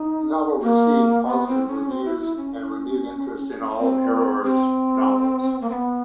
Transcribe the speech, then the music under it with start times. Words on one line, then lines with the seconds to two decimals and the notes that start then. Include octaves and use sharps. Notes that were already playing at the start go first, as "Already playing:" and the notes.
The novel received positive reviews and renewed interest in all of Harrower's novels.
Already playing: D#4
0.62 A#3
1.26 B3
1.47 C4
1.67 C#4
1.89 C4
2.04 E4
2.21 E4
2.37 C#4
2.52 C#4
3.79 C4
4.43 C4
5.61 A#3
5.69 C4
5.73 B3